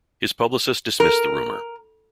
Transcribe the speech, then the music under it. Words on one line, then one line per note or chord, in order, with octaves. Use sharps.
His publicist dismissed the rumor.
A#4